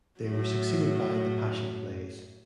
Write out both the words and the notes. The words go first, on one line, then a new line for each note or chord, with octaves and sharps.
They were succeeded by the Passion Plays.
A2 F#3